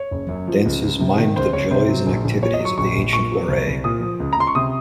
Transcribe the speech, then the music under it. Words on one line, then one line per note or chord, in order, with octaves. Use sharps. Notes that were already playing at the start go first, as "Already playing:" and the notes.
Dances mimed the joys and activities of the ancient Waray.
Already playing: C#5
F#1
F#2
F3
C#2
C#2
C3
D#3
C#2 C5
C#2 C#5
C3 C5
F#3
A#1
A#1
A#2 C#5
D#5
F#3
C#6
A#1 C#6
A#1
A#2 C#6
F#3
C2
C2
A#2 D#6
F3
C#2
A#5
C#2 C6
C#6
C3 D#6